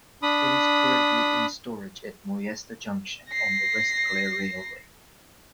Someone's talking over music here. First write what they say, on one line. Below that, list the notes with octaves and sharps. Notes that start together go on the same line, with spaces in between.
It is currently in storage at Moyasta Junction on the West Clare Railway.
D4 B5 D#6
A#6 C7